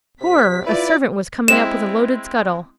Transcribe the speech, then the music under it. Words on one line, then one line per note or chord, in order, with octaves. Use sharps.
Horror! a servant was coming up with a loaded scuttle.
C3 B6
E4 F4 B4 D5
G#3 C4 E4 E7